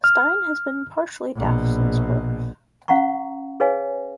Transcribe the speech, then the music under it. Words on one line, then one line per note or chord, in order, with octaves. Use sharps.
Stine has been partially deaf since birth.
F6
A#1 B2
C#4 F5 F#5 A#5 C#6
G#4 B4 C#5 D#5 F5 G#5